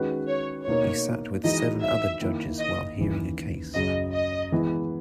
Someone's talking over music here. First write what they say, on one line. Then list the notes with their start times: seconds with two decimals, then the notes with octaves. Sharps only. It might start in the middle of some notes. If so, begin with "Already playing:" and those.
He sat with seven other judges while hearing a case.
Already playing: D#3 G#3 C#4 F#4 B4
0.29 C#5
0.67 B2 A#3 D#4 A#4 C#5
1.44 E3 G#3 D#4 F#4 D#5
1.83 E5
2.21 D#3 A#3 E4
2.60 D#5
2.98 D#2 C#3 E3
3.75 F#2 C#3 F#3 D#5
4.13 D#5
4.52 E3 G#3 B3 E4